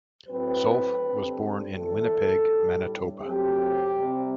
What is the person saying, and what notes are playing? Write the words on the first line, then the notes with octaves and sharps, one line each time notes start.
Zolf was born in Winnipeg, Manitoba.
A2 F#3 C4 B4
D3 G3 C4
E2 D3 A3 D4 A4
A2 G3 D4
F#2 F#3 A3 C4 G4
C3 G3 C4